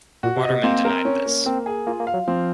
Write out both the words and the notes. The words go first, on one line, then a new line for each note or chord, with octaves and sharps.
Waterman denied this.
A#2 F#4
C3
D#5
C3
A#3 C4
A#4
C#4
A#3
A#3 C4
G#4
A#3 F4
A#3
F5
F#3
F3 C4